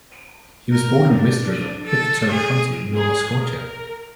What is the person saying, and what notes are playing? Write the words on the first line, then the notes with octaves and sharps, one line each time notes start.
He was born in West River, Pictou County, Nova Scotia.
A#4
D4
A4
G#4
G#4
A#4